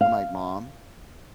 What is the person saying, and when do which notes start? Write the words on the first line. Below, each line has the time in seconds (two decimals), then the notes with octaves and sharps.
I'm, like, "Mom,
0.01 F5